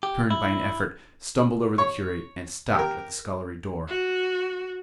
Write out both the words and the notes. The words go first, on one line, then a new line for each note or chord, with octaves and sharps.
I turned by an effort, stumbled over the curate, and stopped at the scullery door.
G4
E4
C#5
G4 A#4
F#4